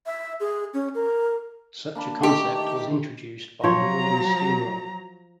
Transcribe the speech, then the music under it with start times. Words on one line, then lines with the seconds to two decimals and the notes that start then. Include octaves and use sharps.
Such a concept was introduced by Norman Steenrod.
0.06 E5
0.40 G#4
0.74 C#4
0.95 A#4
1.95 A#3 D4 B5
2.23 D#3 A3 G4 D6
3.64 F3 F#3 C#5 A#5